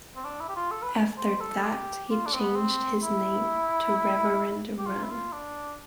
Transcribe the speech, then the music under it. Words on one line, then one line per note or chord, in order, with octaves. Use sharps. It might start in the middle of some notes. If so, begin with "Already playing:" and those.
After that he changed his name to "Reverend Run".
C4
D4
E4
G4
F4
A4
B4
C5
A4
G4
F4
D4
C4
B3
C4
E4
G4
F4
E4
F4
D4